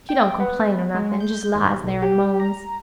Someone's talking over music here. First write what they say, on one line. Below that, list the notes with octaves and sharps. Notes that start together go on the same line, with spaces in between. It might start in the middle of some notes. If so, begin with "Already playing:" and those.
She don't complain or nothing--just lies there and moans.
G5
B3
G#3
G6
D#2
B1
G4
A#5